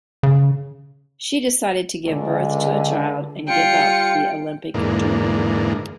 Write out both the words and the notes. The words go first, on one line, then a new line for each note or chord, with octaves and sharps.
She decided to give birth to a child and give up the Olympic dream.
C#3
C#2 D3
G3 F4 G5 C#7
E2 G#2 D3 A#3